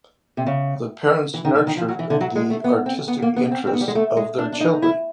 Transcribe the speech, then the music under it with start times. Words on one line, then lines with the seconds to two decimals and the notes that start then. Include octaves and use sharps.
The parents nurtured the artistic interests of their children.
0.37 C3
0.46 C#3
1.34 E3
1.45 D#3
1.55 D3
1.67 D#3
1.77 F3
1.88 F#3
1.99 E3
2.10 D3
2.21 F#3
2.35 G#3
2.50 A3
2.64 B3
2.86 C4
3.08 B3
3.22 A#3
3.36 B3
3.51 C4
3.67 C4
3.73 B3
3.81 G3
3.88 G#3
3.95 A3
4.17 G#3
4.39 D4
4.52 D4
4.60 D#4
4.73 D#4
4.82 E4